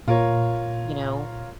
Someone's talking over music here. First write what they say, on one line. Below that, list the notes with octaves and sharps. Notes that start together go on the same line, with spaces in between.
you know,
A#2 F4 A#4 C#5